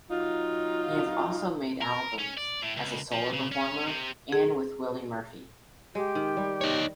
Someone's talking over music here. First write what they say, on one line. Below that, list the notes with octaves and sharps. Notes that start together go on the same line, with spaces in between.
He has also made albums as a solo performer and with Willie Murphy.
F#3 D#4 F4
A#4
C#4
D5
A2
C#2
F3
C#3
C#4
C3
G#4
G#3 G4
D#3
G3
D#4 C#5